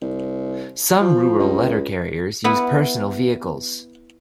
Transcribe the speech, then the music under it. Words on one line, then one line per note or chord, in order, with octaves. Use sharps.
Some Rural Letter Carriers use personal vehicles.
C2
F3
C#2
B3 E4